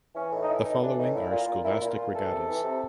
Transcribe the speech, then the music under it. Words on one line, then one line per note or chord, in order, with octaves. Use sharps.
The following are scholastic regattas.
E3 C#4
A2 D#4
D#4
E3 E4
A2 D#4
E3 D4
A2 D#4
A#2 E4
A#2
F4
A#2
A#2 E4
A#2
F4
A#2
E3 A4
C3
E3
C3